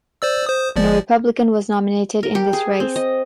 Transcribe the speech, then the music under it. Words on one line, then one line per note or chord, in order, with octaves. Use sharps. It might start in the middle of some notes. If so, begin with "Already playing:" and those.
No Republican was nominated in this race.
C5 D5 E6
C5 D#6
G1 F3 D5
A#4
G4
G#4
C4
D#5